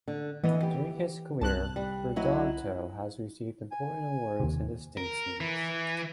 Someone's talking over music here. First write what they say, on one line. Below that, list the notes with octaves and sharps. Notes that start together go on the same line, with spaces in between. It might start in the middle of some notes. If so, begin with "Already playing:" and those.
During his career Hurtado has received important awards and distinctions.
D3
E3 B3 D#5
G4
C2 A5 F#6
G3
F#3 E4 D#5
G#5
D#2 C3
A#4
E3